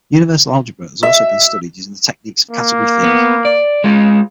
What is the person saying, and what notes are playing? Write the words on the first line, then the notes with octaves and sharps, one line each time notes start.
Universal algebra has also been studied using the techniques of category theory.
E5
A#3
B3
D5
G#3 F4